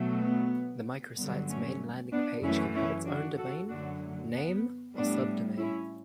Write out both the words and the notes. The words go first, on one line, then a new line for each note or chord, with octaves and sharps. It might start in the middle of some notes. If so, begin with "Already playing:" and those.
The microsite's main landing page can have its own domain name or subdomain.
Already playing: B2 F#3 A3
B3
G2 D3 F#3 B3
A3 C#4
B3 D4
F#2 E3 A3 C#4 E4
C#4 E4
D4 F#4
F#4 A4
F#2 D3 F#3 A3 D4 F#4
A3
B3
A2 G3 B3 D4
C#4 E4